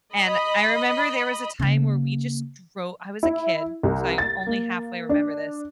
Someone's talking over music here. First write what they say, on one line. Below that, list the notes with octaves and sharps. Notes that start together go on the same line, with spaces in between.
And I remember there was a time where we just dro I was a kid, so I only halfway remember this,
D#5 B5
C#3 A#3
E4
C2
A6
A#3
D4